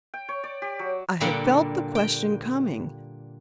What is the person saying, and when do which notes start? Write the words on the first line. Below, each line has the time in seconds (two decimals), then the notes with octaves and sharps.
I had felt the question coming.
0.14 G5
0.29 C#5
0.44 D5
0.62 G4
0.79 F#3
1.20 A#2 D3 G3 A#3 F#5 G5
1.95 G5